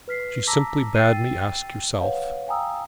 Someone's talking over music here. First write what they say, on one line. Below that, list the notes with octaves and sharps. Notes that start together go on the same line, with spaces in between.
She simply bade me ask yourself.
B4 F6 B6 C7
A5 A#5 D6 E6 A#6 B6
G5 E6 A6 C7 D#7
B4 C#5 F5 F#5
F5 G5 G#5 A#5 D#6 E6